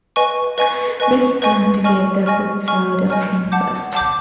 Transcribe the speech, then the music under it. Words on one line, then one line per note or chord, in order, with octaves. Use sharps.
Best plan to get the books out of him first.
B4 D#5 G#5 C#6
B4 D#5 G#5 C#6
B4 D#5 G#5 C#6
B4 D#5 G#5 C#6
D#5 G#5 C#6 F6
D#5 G#5 C#6 F6
D#5 G#5 C#6 F6
D#5 G#5 C#6 F6
F#5 A5 D6 G6
F#5 A5 D6 G6